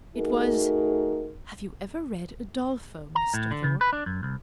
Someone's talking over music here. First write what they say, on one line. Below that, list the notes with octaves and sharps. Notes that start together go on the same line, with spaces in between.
It was, "Have you ever read 'Udolpho,' Mr. Thorpe?"
A3 D#4 F#4 G#4 A#4
A#5
A2
D3
C#3
B4
D4
F#2
C2